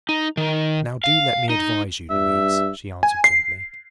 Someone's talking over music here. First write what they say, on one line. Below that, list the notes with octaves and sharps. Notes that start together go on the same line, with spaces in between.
'Now do let me advise you, Louise,' she answered gently.
D#4
D#3
F5
D#4
G2 E5
G#5
C7